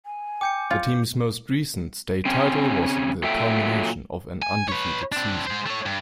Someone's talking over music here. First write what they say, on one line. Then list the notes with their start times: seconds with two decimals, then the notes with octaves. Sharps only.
The teams most recent state title was the culmination of an undefeated season.
0.06 G#5
0.41 G5 D6 G6 C#7
0.70 F4 C5 D5
2.25 C#3 C4 C#4
3.23 A#2 F#3 A4 E5 G5
4.42 G#5
4.68 B4 C#5
5.12 C4 D4
5.47 G#3 C5
5.67 A3 C#5
5.86 G2